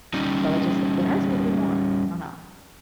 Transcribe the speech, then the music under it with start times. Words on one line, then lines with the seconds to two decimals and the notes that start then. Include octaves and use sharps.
So it just it hurts a little bit more. I don't know.
0.14 G3 C#4 D#4